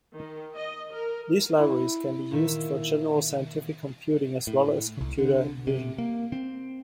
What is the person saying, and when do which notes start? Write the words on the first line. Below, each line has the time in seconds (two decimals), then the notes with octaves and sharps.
These libraries can be used for general scientific computing as well as computer vision.
0.14 D#3
0.55 D#5
0.91 A#4
1.60 E4
2.31 A#2 D#3 E5
4.47 A2
5.01 C2
5.18 D3
5.67 C3
5.98 A#3
6.32 C4